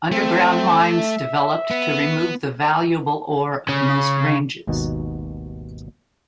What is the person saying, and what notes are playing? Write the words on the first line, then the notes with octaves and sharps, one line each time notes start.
Underground mines developed to remove the valuable ore of most ranges.
A3 C4
E5
B3
C#3
G#1 D#2 B2 D#4 F#4 F#5